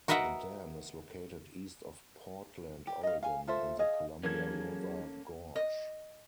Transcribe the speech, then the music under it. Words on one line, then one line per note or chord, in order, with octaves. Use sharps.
The dam is located east of Portland, Oregon, in the Columbia River Gorge.
F#4 A#4 B4 D#5 E5 F#5
G4
D#5 F5
F5 G#5
F4 A4 C5 E5
G#4 D#5 F5
E3 F#3 A#3 C#4 G#4 A4 G#6
D#5